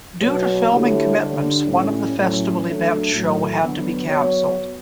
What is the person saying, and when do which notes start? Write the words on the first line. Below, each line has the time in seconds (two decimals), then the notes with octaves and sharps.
Due to filming commitments one of the festival events show had to be canceled.
0.21 B2 F#3 B3 F#4 C#5
0.70 D3 A3 E4 G4 C#5
1.18 D3 G3 D4
1.66 A2 G3 C#4
2.15 A2 F#3 C#4
2.63 F#3 A3 D4 A4
3.10 A2 F#3 A3
3.60 D2 D3 F#3 B3
4.08 F#3 B3 F#4 C#5